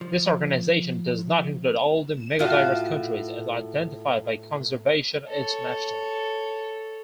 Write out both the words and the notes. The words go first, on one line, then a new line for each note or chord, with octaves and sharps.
This organization does not include all the megadiverse countries as identified by Conservation International.
F3
A2 F4 F#4
A4 C#5